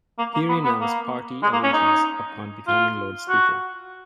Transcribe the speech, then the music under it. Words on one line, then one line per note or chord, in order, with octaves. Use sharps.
He renounced party allegiance upon becoming Lord Speaker.
A#3
A#3
B3
B3
A#3
G#3
A#3
C#4
D#4
F4
F#4